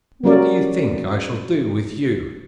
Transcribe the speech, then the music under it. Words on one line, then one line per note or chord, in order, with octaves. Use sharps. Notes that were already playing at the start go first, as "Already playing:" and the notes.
What do you think I shall do with you?'
F#3 G3 C#4 F#4 A#4 D5